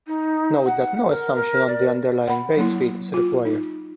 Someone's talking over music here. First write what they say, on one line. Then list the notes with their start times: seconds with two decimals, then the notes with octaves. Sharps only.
Note that no assumption on the underlying base field is required.
0.07 D#4
0.65 F#5
1.09 A#4
1.34 A#4
1.67 D5
2.27 F#5 B5
2.57 F#3 A#3 E4
3.14 F4
3.45 D#4